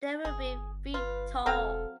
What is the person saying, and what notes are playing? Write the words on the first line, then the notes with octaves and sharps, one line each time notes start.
They will be feet tall.
G1 G#4
F4 B4
E1 F#3 C4 A4 F5